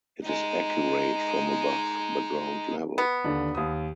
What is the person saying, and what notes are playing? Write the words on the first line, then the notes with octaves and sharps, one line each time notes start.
It is accurate from above the ground level.
G#3 D#4
B3
D#2 D3 D4
D#2 D#6